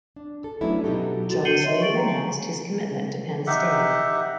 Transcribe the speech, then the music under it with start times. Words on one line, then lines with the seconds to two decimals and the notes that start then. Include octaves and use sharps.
Jones later announced his commitment to Penn State.
0.16 D4
0.44 A4
0.61 F#3 A3 B3 C#4 D4 E4
0.84 B2 F#3 D#4 G4 A4
1.29 F#4 A4 A6
1.45 G6 C7 C#7 D#7 F#7 G7
1.63 C#5 D#5 E5 C6
1.81 C#6 A6 D7 F#7
1.95 G5 A#5
3.47 D#4 G4 E5 F#5